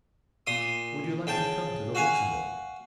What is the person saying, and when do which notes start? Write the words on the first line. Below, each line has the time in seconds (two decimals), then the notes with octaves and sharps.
"Would you like to come to the Luxembourg?"
0.47 A#2 C6 D#6
1.27 C#3 G5 A5
1.95 F#4 F5 G#5